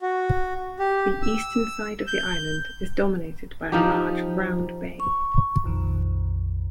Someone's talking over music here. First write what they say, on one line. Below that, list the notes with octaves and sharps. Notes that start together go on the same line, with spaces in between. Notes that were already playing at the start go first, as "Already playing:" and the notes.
The eastern side of the island is dominated by a large round bay.
F#4
G4
E6
G6
F3 D#4 G4
C#6
A#1 F2 D#3